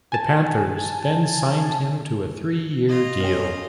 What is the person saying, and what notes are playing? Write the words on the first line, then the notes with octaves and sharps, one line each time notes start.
The Panthers then signed him to a three-year deal.
G#5 A5
F4 D#5
C#4 A#4 G5